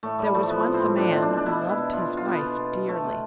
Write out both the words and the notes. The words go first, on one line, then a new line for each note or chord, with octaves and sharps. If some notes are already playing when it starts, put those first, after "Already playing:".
There was once a man who loved his wife dearly.
A2 A3
A2 G3
F3 A3
F3 B3
A2
C4
A2
B2 D4
B2 C4
D4
B2
D4
B2 E4
B2
E4
B2
B2 F4
B2
F4
B2 B3
B2
B2
B2
B2 A3
B2